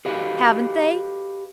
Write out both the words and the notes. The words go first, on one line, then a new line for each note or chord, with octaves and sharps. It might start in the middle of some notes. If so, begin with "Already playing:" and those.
Haven't they!
F#4 G4 A4 B4 D#5 F5